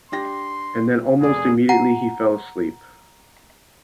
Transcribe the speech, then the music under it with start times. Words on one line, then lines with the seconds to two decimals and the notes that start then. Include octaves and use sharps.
And then almost immediately he fell asleep.
0.12 D4 G4 C6 A#6
1.21 F1 G#4 D5
1.69 F#5 A#5